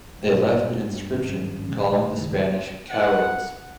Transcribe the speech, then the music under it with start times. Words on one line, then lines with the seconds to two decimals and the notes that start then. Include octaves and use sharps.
They left an inscription calling the Spanish cowards.
0.24 G#2 B2
0.73 G2
1.14 G#1 G2 C#4
1.68 A#2 D3 F3 G#3
2.18 C#2 G2 D#3
2.89 F#5